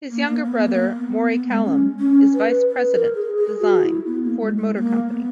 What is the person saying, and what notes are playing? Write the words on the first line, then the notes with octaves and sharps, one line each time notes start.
His younger brother Moray Callum is Vice President, Design, Ford Motor Company.
A#3
A#3
B3
A#3
B3
B3
G#3
C#4
C#4
B4
B4
A#4
G#4
G#4
F#4
F#4
E4
B3
A#3
G#3
G#3
B3
A#3
B3